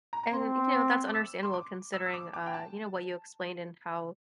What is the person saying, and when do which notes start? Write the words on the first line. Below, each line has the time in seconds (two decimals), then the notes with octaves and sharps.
And, you know, that's understandable considering, uh, you know, what you explained and how
0.13 A#5
0.23 A#5
0.33 C4 C6
0.73 D6
1.08 D6
1.14 E6
1.43 C6
1.54 D6
1.94 E6
2.06 E6
2.14 D6
2.34 D6
2.46 G5
2.54 A5